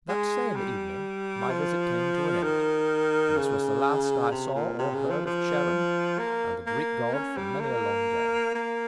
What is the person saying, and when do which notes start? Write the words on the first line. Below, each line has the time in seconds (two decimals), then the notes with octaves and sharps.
That same evening my visit came to an end, and this was the last I saw or heard of "Charon" and "the Greek god" for many a long day.
0.09 G#3
0.56 G3
1.50 F3
2.43 D#3
3.37 C#3
4.31 C3
4.55 A#2
4.79 C3
4.94 C#3
5.10 F3
5.26 F3
6.19 A#3
6.67 A#3
7.13 C#4
7.37 G3
7.60 A#3
8.55 A#3